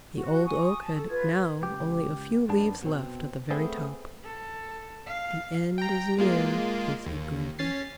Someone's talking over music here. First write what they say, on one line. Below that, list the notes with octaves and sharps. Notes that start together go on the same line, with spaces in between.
The Old Oak had now only a few leaves left at the very top. "The end is near," he said gravely.
F#4
G#5 C#6 D#6
A5
A4
F4 B4 G#6
C#2 G4
F#2 B3 D4 A5
B2 C4
A3 B3 C4 G#4
A4
F5
G5 A#5
G#3 A#3 F4
D#2
C#4 A6 C7